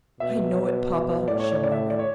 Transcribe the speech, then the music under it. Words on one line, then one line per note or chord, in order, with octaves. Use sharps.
"I know it, papa," she murmured.
B2 E5
A2 D5
C#5
D5
D5
E5
D5
C#5